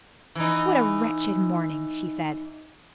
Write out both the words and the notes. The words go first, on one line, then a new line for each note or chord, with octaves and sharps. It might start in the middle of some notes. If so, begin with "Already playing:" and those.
"What a wretched morning!" she said.
E3 D#4